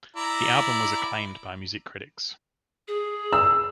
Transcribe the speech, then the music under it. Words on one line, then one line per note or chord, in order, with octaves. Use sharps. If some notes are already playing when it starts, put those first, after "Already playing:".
The album was acclaimed by music critics.
E4 D5 A#5
G#4
E6